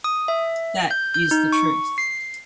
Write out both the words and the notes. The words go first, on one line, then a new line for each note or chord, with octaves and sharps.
That is the truth.
D#6
E5
G6
G6
D#4
C#6
C7